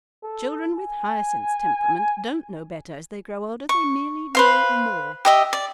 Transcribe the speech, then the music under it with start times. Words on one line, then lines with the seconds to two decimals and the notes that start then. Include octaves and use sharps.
"Children with Hyacinth's temperament don't know better as they grow older; they merely know more."
0.24 A4
0.75 G#5
3.69 C#6
4.35 B4 C5 F5
5.25 G4 D#5 E5
5.53 D5